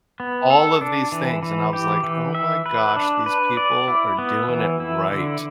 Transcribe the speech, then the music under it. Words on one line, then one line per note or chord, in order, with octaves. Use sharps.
all of these things, and I was like, "Oh my gosh, these people are doing it right."
B3
A4
D4
E3
E3
G4
E3
E5
B4
D4
B4
D5
E4
B3
E3
E4
D3